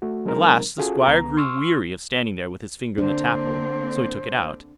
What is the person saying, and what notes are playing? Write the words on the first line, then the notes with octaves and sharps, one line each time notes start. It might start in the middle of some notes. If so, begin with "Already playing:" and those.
At last the Squire grew weary of standing there with his finger in the taphole, so he took it out.
A3 F#4
F#3 G#3 C4 D#4 A#4 C5
C#4 F4 F#4 G#4 A4
C#2 B3 A#5
C6 C#6 E6 F6
D3 A#3 C4 D4 C5